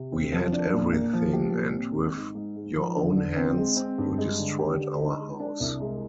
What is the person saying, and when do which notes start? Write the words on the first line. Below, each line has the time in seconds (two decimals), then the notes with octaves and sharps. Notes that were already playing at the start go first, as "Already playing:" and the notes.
We had everything and with your own hands, you destroyed our house.
Already playing: C3
0.12 C4
0.32 F3
0.52 D4
0.73 A#2
0.93 A#3
1.13 F3
1.33 G4
1.54 A#2
1.74 C4
1.94 G#3
2.15 G#2
2.35 G#2
2.55 G#3
2.76 F3
2.96 D3
3.16 D3
3.37 C4
3.57 G#3
3.77 C4
3.98 G2
4.18 G#3
4.39 D3
4.59 G4
4.78 D3
4.99 D#4
5.19 G#3
5.39 D4
5.60 C2
5.80 G#3